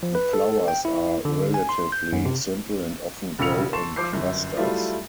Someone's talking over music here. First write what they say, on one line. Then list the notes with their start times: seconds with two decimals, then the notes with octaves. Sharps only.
The flowers are relatively simple and often grow in clusters.
0.03 F3
0.15 B4
0.33 A4
0.68 G5
0.85 E4
1.25 D3
1.54 G#5
1.69 C6
1.92 G6
2.13 F#2
2.25 C3
3.39 E1 C#3 F4 E6 C#7 F7
3.73 A5 C6 C#6 A6 C7 E7
3.96 F3 C5 D6 G6 C7
4.12 G1 F#2
4.57 F#3 G3 A3 E4 F4